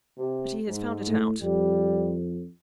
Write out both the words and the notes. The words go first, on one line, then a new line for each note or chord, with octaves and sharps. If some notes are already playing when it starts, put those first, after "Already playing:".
But he has found it out.
C3
G#2
A2
F2 G3